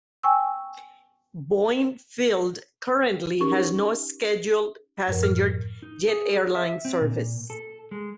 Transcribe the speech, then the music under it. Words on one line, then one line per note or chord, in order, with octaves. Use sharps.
Boeing Field currently has no scheduled passenger jet airline service.
G5 G#5 C#6 E6
C#4 D#4 G4 A#4 C#6
F#2 A2 F3 A#4
F6
D#4
G#4
E5
C4
A#2
A4
G#3